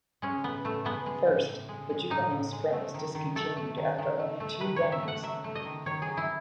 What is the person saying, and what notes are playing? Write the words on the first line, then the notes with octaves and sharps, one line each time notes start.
First, the Juvenile Sprint was discontinued after only two runnings.
G#3 C#4
A2 B3
A2 A3
G#3 B3
G#3
A2
A2
G#3
G#3
A2 D#4
A2
G#3
A3
D#3
D#3
A3 A4
A3
D#3
D#3
A3
A3
D#3 B4
C#5
D#3
E5
A3 F#5
F#3 E5
A3
D#5
D#3
D#3 C#5
G#4
F#3
E4